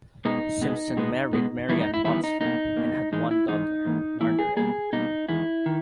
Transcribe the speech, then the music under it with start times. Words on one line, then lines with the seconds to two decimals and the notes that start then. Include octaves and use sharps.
Simpson married Mary Anne Botsford and had one daughter, Margaret.
0.25 B2 G#3 B3 D#4
0.61 B2 G#3 B3
0.97 B2 G#3 B3
1.33 B2 G#3 B3
1.69 E2 D#3 G3 B3 E4
1.81 D#4
1.94 E4
2.04 E2 D#3 G3 B3 E4
2.24 D#4
2.41 B2 A#3 D#4
2.77 B2 A#3
3.12 G#2 E3 G#3 D#4
3.31 E4
3.48 G#2 E3 G#3 D#4
3.85 G#2 E3 A#3
4.20 G#2 E3 A#3 E4
4.39 G#4
4.57 B2 G3 A#3 G#4
4.93 B2 G3 A#3 D#4
5.29 E2 D#3 G#3 E4
5.66 D#3